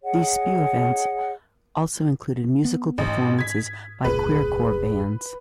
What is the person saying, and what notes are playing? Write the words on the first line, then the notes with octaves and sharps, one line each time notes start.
These Spew events also included musical performances by queercore bands.
G#4 C#5 D#5 F#5
B3
A1 G#2
G#6 B6
E1 C#2 A#2 G#4 B4